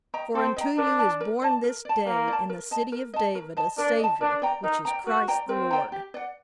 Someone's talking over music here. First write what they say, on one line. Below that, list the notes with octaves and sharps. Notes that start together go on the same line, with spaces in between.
"For unto you is born this day, in the city of David, a Savior, which is Christ the Lord!"
D#5 G5 A#5
C4 A4
D#5 G5 A#5
D4 A#4
D5 A5
A#4
D5 A5
A#4
D5 A5
A#3 A#4
D5 A5
A#4
D#5 A5
A#4
D#5 A5
A#4
D#5 A5
D4 A#4
D#5 A5
D4 A#4
D5 G5 A#5
D#4 A#4
D5 G5 A#5
F#4 A#4
D5 G5 A#5
C4 A#4
D5 G5 A#5
G4
D5 F#5